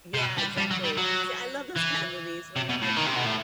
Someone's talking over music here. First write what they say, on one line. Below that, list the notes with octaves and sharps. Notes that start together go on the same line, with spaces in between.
Yeah, exactly, see, I love those kind of movies where you're like, "What,
C3
B2
G3
G3
F#3
G3
F#3
E3
C3
B2
A2
D#3
C3
B2
A2